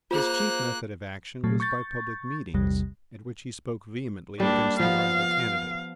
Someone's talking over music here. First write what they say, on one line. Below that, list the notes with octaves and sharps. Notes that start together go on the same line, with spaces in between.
His chief method of action was by public meetings at which he spoke vehemently against the rival candidate.
A#3 F4 G#4 C5 F#6
A#2 F#3 A3
C#6 G6 A6
A#1 E2 C3 G3
G3 A#3 D4
F3 B3 F5